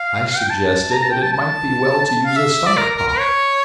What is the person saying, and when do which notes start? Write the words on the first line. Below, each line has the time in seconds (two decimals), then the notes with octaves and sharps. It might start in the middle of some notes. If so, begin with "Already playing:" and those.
I suggested that it might be well to use a stomach-pump.
Already playing: F5
0.38 G5
0.50 A5
0.93 A#5
1.03 A5
1.12 G5
1.22 A5
1.33 A5
2.05 A5
2.26 F5
2.36 E5
2.67 D5
2.77 A#4
2.98 A#4
3.08 A#4
3.19 C#5